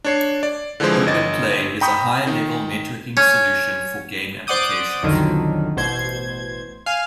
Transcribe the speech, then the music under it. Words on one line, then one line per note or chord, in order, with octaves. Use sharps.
OpenPlay is a high-level networking solution for game applications.
D4 C#5 C7
D5
D3 E3 F3 G#3 C5
G1 D#5 A6
G5 A#5 B5 C#6 D#6 G6
D#3
C#4
C5 D5 F#5 D6 D#6 G6
B1 F2 D3 D#3 F#3
A1 B2 C5 G#6
F5 G#5